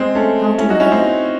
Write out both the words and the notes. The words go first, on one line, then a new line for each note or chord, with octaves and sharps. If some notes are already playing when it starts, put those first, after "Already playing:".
How do I know?
Already playing: G#3 C4
A3 C#4
C#4 E4
D#4 F#4
C#4 E4
C4 D#4